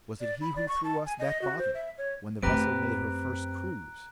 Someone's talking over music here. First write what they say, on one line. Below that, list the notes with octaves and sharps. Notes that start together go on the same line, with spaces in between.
Was it he who threw us that bottle, when the vessel made her first cruise?
D5
B5
D5
C#6
A5
G#5
D#5
F#4
C5
E5
C#5
F#2 A3 C4 G4 B4 A#5 F#6 D7